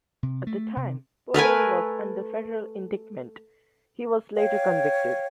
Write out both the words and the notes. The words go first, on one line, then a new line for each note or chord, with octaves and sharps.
At the time, Podell was under federal indictment; he was later convicted.
C3
A3
C3
A3 A#4 B4 G#5
C#5 F5 G5